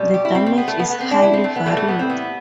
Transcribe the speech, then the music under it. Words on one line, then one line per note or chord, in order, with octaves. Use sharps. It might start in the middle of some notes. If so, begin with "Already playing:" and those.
The damage is highly varied.
Already playing: B2 G3
G4
E4
C4
C4
B3
A3
B3
B3
C4
D4
E4
C4
A3
B3
A2 E3 G3 A3
A3
B3
C4
B3